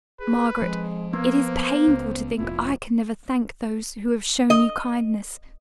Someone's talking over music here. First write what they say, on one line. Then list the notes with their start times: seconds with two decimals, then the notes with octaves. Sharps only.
'Margaret, it is painful to think I can never thank those who have shown you kindness.
0.20 G#4 B4
0.61 F3 G#3 C4
1.13 A#3 B3
1.45 C5
1.87 C#2
2.38 F1 A#1 E4 F4
4.50 D#5